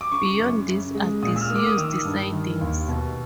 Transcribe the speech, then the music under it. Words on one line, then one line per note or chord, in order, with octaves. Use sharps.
Beyond this are disused sidings.
D6
C#3 C#6
F#2
C#3
G#3
A#2 D#6
E6
F6
A#3
D6
D#6
D#3 E6
G2
D#3
D#2
B2